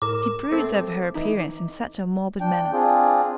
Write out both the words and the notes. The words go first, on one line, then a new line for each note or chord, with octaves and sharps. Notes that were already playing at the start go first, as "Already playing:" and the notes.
She broods over her appearance in such a morbid manner.
A2 A#4 D6 E7
A3 C4 A4
E3 D#4 E4
D4 G5
C4 D4 F4 G#4